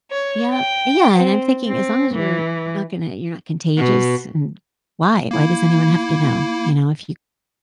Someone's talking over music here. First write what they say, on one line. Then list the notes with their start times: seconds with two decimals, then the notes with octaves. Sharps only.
Yep. Uh, yeah, and I'm thinking, as long as you're not gonna you're not contagious, and Why? Why does anyone have to know? You know, if you
0.11 C#5
0.54 G5
1.16 C4
1.67 C4
2.14 E3
3.77 B2
5.31 A#3 E4